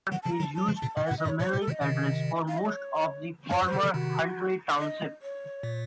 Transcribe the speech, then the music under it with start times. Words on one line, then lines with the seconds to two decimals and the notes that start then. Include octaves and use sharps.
Carp is used as a mailing address for most of the former Huntley Township.
0.12 D#3 F#3 F#5
0.23 A5
0.25 C#3 F3
0.32 A#5
0.40 D#3 F#3
0.43 A5
0.55 F#3 A5
0.68 C#3 F3
0.76 A5
0.82 A#2 C#3
0.97 A2 C3
1.07 F#5
1.11 A2 C3
1.18 D#5
1.25 F#2 A#2
1.28 C#5
1.39 A2 C3 C#5
1.49 C5
1.53 A2 C3
1.61 A4
1.67 C3 D#3 D#5
1.81 C3 D#3
2.48 F5
2.58 D#5
2.66 C#5
3.51 F#2 C#5
3.62 F#2
3.66 C5
3.73 C3 D#3
3.79 C#3 F3 A4
3.94 C3 D#3 F#4
4.79 D#5
5.22 C#5
5.63 A#2